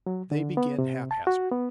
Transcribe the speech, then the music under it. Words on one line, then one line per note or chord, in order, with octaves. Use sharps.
They begin haphazard.
F#3
D3
B3
C3
A5
F#4
B3